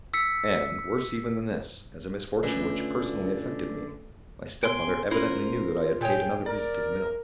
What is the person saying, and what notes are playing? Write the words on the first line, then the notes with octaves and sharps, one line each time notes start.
And, worse even than this, as a misfortune which personally affected me, my stepmother evidently knew that I had paid another visit to the mill.
E6 B6 C#7
D3 A3 C#4 F4 B4
B2 G5 G#5 C6
C#4 E4 F4 A#4 C5
E1 A#2 G#4 C#5 G5
A#4 D5